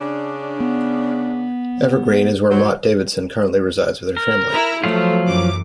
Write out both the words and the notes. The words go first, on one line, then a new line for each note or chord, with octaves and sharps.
Evergreen is where Mott Davidson currently resides with her family.
C#3 D4
B3
F#3 C5
A#4
E4 A#5
F3 F#3 A3 F4
F#2 E3 D6